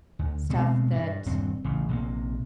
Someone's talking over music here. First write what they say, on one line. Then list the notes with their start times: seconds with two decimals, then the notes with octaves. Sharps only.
stuff that
0.19 D2
0.49 D2 B2 G#3 C4
0.93 G2
1.26 D#1 G2 C4
1.65 A1 C#3
1.89 A#1 C3 G3 A#3